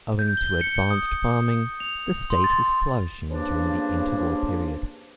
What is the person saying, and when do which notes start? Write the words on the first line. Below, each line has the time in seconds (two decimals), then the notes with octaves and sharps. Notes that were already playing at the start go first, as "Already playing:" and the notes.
Owing to advanced farming, the estate was flourishing during the interwar period.
0.19 G6
0.37 G7
0.61 C#7
0.91 D#6
1.80 F7
2.30 C6
2.44 A6
3.29 G2 C#3 F3 A#3 D4